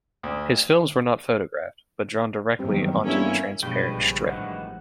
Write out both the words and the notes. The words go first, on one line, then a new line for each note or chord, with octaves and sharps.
His films were not photographed, but drawn directly onto the transparent strip.
D2
E2 G2 D#3 F#3 G3 C4 G4
G2 A#3 B3 C#4 E4 A4
G2 B2 F3 G3 G#3 B4 G5
A#1 C#3
A1 A2 D#3 E3 C4 F#5